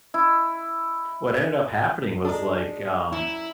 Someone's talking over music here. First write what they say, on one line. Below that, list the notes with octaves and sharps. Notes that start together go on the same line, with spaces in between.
what ended up happening was like, um,
E4
G#3 D4 A4 A#4
F#2 E4